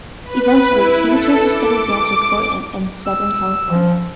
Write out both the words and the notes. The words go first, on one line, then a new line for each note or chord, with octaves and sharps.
Eventually, he returned to study dance with Horton in southern California.
B4
E4
A4
D6
E6
F3